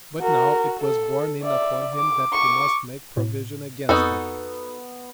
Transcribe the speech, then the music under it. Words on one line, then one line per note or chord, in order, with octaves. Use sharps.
But now it was borne in upon him that he must make provision against it.
F#4 A#4
A4
D5 E5
D6
C#6 D6
A2
F2 B3 D#4 F#4 A4